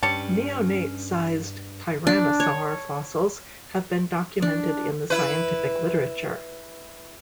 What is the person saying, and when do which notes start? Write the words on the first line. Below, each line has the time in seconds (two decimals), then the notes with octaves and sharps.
Neonate sized tyrannosaur fossils have been documented in the scientific literature.
0.03 G2 G3 C#4 C#5 A5 C#7
2.07 D4
2.40 C#5
4.42 D4
5.10 E4 B4